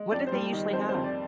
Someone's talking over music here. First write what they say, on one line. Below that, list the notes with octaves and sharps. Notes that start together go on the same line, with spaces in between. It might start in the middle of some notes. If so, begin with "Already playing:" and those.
What do they usually have?
Already playing: G#3
F2 D5
C5
G3
D#3
F2 C5
C5
F2
D5